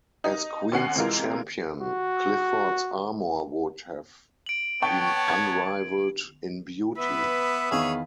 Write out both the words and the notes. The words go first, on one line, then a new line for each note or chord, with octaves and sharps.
As Queen's Champion Clifford's armour would have been unrivaled in beauty.
D#4
D#2 C#4 F#5 C7
C3 E3 G#3 F4 A#4
F#4
D7 F#7
B3 C#5 G5 A5 C#6
G#6
B3 B4 E5
E2 D#3 G#4 C#5 F5